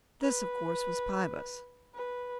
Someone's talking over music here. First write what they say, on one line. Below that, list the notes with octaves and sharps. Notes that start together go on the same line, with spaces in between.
This, of course, was Pybus.
B4
B4